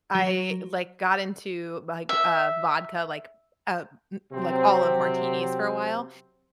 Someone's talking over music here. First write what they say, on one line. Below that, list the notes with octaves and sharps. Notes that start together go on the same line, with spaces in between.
I, like, got into, like, uh, vodka, like, uh, m like, olive martinis for a while,
F#3
E5
C3 F#3 C4